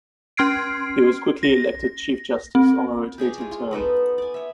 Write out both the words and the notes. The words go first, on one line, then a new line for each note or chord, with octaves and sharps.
He was quickly elected chief justice, on a rotating term.
C#4 C6 F6 G#6 C7 D7
A#6
C4
G4 G#4 C#5 D5
G#3 F4
F4
B3 D#4 A4 B4
D5 G#5
C#5 E5